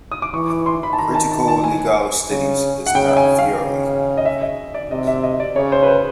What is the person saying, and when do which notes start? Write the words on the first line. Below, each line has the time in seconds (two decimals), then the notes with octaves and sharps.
Critical legal studies is not a theory.
0.11 D#6
0.22 D6
0.33 E3 C#6
0.50 D6
0.66 C6
0.83 B5
0.93 A5
0.99 D#3 A#5
1.15 A5
1.31 A5
1.48 A5
1.64 G#5
2.29 C#3
2.87 F#5
2.95 C#3 G5
3.17 G#5
3.39 F5
3.60 C#3
4.17 D#5
4.25 E5
4.42 D#5
4.74 D5
4.91 C3 D#5
5.07 E5
5.24 D#5
5.40 D5
5.56 C#3 C#5
5.72 C5
5.83 B4
5.88 C5